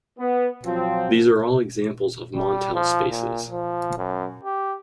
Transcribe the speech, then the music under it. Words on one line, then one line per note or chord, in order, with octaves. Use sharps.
These are all examples of Montel spaces.
B3
F3 F#3 C4
G3
F3
A#2
F3
F#2
G4